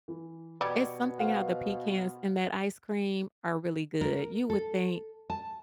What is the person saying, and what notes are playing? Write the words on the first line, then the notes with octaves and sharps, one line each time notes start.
It's something how the pecans in that ice cream are really good. You would think
E3
B2 G3 G#6 C#7
C5 F5 F#5
A#4
A4
A5